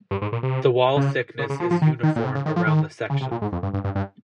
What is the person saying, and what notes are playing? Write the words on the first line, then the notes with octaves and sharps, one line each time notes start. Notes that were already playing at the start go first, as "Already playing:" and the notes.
The wall thickness is uniform around the section.
G2
G#2
A#2
C3
C#3
C#3
C#3
F3
F3
D#3
D#3
A#2
C3
C#3
D#3
F3
D#3
C#3
C3
A#2
G#2
F2
G2
G2
G2
G2